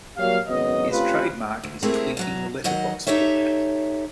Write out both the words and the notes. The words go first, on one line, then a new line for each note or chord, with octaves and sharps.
His trademark is tweaking the letterbox format.
F#3 G3 A#3 G4 C#5 F5
G#1 F#2 C#3 F#3 B3 D#5
A3 C4 C#4 F4 G4 B4
D2
A3 C4 E4 G4 G#4 A#4
E2 F#3 A#5
D#3 F#3 D#5 F#5
D#4 G4 A4 C#5 E5